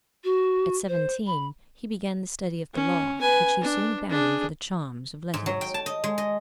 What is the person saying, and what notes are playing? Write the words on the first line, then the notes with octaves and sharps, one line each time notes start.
At seventeen he began the study of the law, which he soon abandoned for the charms of letters.
F#4
C5
B5
C#4
B4 G#5
D4
D4 G#4
G#2
F#3
G5
A5
D#5
G#3
D#5